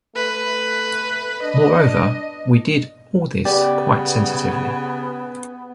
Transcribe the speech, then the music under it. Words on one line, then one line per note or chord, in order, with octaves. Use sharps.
Moreover we did all this quite sensitively.
A3 B4
D4 D#5
C#3 B3 G4 D5